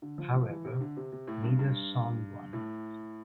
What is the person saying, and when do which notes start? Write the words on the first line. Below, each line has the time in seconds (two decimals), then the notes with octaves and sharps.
However, neither song won.
0.02 D3
0.18 F3
0.34 F3
0.49 E3
0.65 C3
0.81 D3
0.97 C3
1.12 C3
1.27 A2
1.43 G2
1.59 G2
2.53 A2